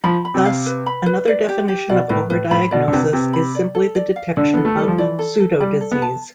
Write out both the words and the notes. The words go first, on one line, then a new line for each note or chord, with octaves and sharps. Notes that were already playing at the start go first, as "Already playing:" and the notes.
Thus, another definition of overdiagnosis is simply the detection of pseudodisease.
F3 B5
B5
C3
F5
B4
B5
B4
D5
G4
G4
B2 D5
A2 B4
A2 B4
A2 B5
B2 D5
D3
C3 B4
C3 B4
B5
D5
A4
D5
F5
D3 D5
B3 A4
A3
G3 A4
F3
E3 D5
A4
A4
G3 D5
A4
B3
A5